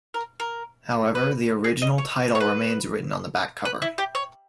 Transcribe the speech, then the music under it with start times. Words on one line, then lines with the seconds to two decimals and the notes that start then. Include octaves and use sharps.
However, the original title remains written on the back cover.
0.14 A#4
0.40 A#4
1.15 B4
1.64 G#4
1.82 D#5
1.98 C#5
2.35 C#5
2.40 B4
3.65 B4
3.82 E4
3.98 G4
4.15 C#5